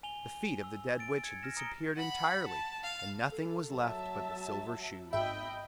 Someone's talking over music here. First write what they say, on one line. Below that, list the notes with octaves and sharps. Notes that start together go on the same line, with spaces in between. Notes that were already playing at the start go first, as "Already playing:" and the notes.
The feet of the dead Witch had disappeared entirely, and nothing was left but the silver shoes.
G#5 F7 G7
E6
A6 D7
G#6 C#7
F6 A#6 E7
A#5 D#6 A#6 C#7 D7 G7
F#5 B5
A5
F5
A4
F#3 E5 A5
G#1 D#5 E5 G5 B5